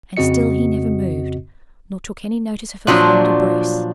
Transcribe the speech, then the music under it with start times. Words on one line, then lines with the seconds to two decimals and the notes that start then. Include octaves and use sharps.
And still he never moved, nor took any notice of her fond embrace.
0.17 F2 C#3 C4 F#4 D#5 C#7
2.87 A#2 F3 F#3 D4